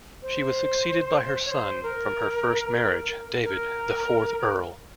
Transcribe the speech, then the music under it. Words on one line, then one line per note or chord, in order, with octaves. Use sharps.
She was succeeded by her son from her first marriage, David, the fourth Earl.
C5
C#5
C5
A#4
A#4